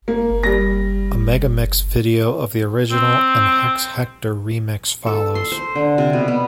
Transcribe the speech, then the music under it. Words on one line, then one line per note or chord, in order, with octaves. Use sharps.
A megamix video of the original and Hex Hector remix follows.
A#3
G3 A#6
C4
A4
C6
C5
D3
C3
B2
B3